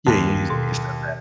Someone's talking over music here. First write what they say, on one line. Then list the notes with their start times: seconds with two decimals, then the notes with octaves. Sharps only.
Yeah. You used to go step back.
0.07 D#2
0.50 B2